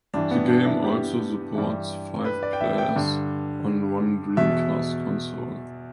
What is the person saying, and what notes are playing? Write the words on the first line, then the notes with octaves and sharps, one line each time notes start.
The game also supports five players on one Dreamcast console.
G2 E3 D4
B3
D4
E4
G4
G2 E3
B4
D5
G5
E5
G5
G2 D3
E2 B2 E5